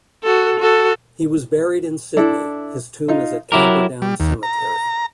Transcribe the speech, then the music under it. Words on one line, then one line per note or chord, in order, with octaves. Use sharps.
He was buried in Sydney; his tomb is at Camperdown Cemetery.
F#4 A4
F#4 A4
D4 E4 A4
D#4 F4
F#3 E4 G4 A#4
G3
D#2
A#5